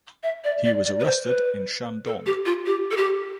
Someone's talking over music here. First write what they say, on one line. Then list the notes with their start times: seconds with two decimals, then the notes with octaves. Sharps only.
He was arrested in Shandong.
0.23 E5
0.44 D5
0.64 D5
0.84 D5
0.99 B4
1.04 C5
1.25 B4
2.06 A4
2.26 G4
2.46 F4
2.66 G4
2.91 A4
2.97 G4